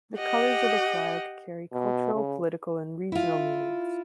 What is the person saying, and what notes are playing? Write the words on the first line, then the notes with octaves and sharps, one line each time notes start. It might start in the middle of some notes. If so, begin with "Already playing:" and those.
The colours of the flag carry cultural, political, and regional meanings.
G4 D#5 F#5
B2
C#3
E4 F4